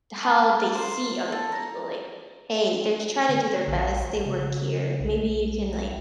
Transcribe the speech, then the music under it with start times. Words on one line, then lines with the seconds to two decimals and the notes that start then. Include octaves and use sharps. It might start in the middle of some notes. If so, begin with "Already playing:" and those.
how they see other people, like, "Hey, they're trying to do their best, they work here, maybe you can, like,
0.23 A5
0.75 C5
1.32 A4
1.52 A#5
3.29 D3
3.68 A#1
4.26 C#3
5.00 B1